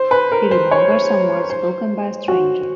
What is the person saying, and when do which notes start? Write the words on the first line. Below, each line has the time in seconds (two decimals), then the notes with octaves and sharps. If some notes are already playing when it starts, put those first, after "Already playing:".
He remembered some words spoken by a stranger.
Already playing: C5
0.11 B4
0.32 A#4
0.51 C5
0.71 C#5
1.50 C5
2.28 F#4